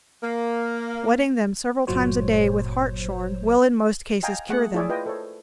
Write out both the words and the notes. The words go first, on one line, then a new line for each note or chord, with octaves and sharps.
Wetting them several times a day with hartshorn will in most cases cure them.
A#3
G1 A#2 F#3 C5 C#5
D#5 F5 G5 G#5 A#5
A3 G#4 F#5
E4 G#4 C#5 D5 E5
F4 B4 D#5 G5
A4 C5 C#5